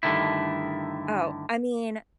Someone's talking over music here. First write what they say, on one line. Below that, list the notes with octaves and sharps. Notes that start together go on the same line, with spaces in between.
Oh, I mean,
G2 D3 D#3 A3 E4